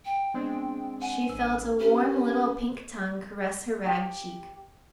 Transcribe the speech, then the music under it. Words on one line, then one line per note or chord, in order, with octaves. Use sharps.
She felt a warm little pink tongue caress her rag cheek.
G5
G#3 B3 C4 D4
F#5 G#5
A1 E6
C#4 G4 A#4 B4
G4